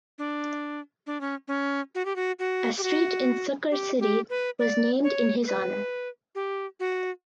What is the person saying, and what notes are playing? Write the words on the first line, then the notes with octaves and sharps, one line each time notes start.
A street in Sukkur city was named in his honor.
D4
D4
C#4
C#4
F#4
G4
F#4
F#4
G4
F#4
G4
G4
B4
D5
C#5
A4
B4
G4
F#4